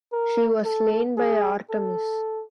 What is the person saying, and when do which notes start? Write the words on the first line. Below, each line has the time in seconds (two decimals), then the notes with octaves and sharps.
She was slain by Artemis.
0.13 A#4
0.65 A4
1.18 G#4
1.70 A4